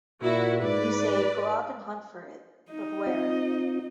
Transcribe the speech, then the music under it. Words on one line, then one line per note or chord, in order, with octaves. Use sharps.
You say 'go out and hunt for it,' but where?
A#2 E4 F#4
G#2 B4 D5
D#4 D#5
C4 F4